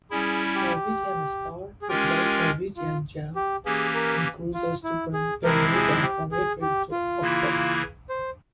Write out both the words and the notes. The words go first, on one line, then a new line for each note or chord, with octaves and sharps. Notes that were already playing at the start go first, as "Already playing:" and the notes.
"Norwegian Star" replaced "Norwegian Gem" in cruises to Bermuda from April to October.
G3 C#4 E4 G#4
G4
G#4
G#3 C#4 F4 G4 A#4
F4
G4
E3 A#3 C#4 G4 G#4
A#4
F4
E4
G#4
C3 F3 G#3 C4 E4 A#4
G#4
G4
G#4
G4
F4
C#3 E3 A#3 E4
C5